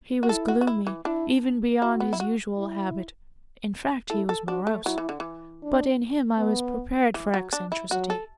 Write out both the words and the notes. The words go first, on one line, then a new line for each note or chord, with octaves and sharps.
He was gloomy, even beyond his usual habit--in fact he was morose--but in him I was prepared for eccentricity.
F#4
E4 A4
F#4
F#4
E4
E3
D4 E4
E4 F#4
B3
E4
F#4
E4
E4 A4
A4
D4 F#4
A3
F#3 E4
E3
D3
E3
D4
B3
E3
F#3
D4
E4
F#3 F#4
A4